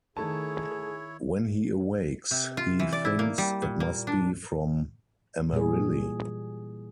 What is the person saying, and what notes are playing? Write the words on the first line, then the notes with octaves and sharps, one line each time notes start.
When he awakes, he thinks it must be from Amarilli.
D#3 A3 E4 G#4 C#5 A5
C3
F4
E3
D5
E4
A#3
G3
A#2
A#3
D4
A#2 E3 G3 G#4